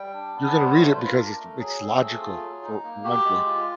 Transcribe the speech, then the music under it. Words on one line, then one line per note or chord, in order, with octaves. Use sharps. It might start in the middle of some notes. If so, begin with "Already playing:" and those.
you're gonna read it because it's it's logical for one thing.
Already playing: G3 G5
D4
B3
G#5
G3 F#5
C5
A3 C#5
C5
F4 B4
A#4
D4
A3
F#3 G#4
C4
A3
F4
F#3
D#4
A#3
F#4 G4
G#3
F4